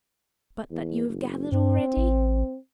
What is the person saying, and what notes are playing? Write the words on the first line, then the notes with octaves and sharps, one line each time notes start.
But that you have gathered already?
E2
F#1
G2 C4
A1